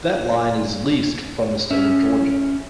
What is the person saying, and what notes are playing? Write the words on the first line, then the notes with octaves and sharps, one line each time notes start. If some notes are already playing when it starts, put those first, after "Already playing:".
That line is leased from the state of Georgia.
C#4 E5